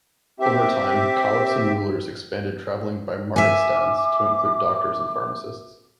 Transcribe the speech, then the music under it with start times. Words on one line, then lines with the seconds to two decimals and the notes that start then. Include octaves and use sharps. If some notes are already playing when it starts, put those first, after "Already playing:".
Over time, Caliphs and rulers expanded traveling bimaristans to include doctors and pharmacists.
0.40 C4 G4 E5
3.36 E5 G#5 D6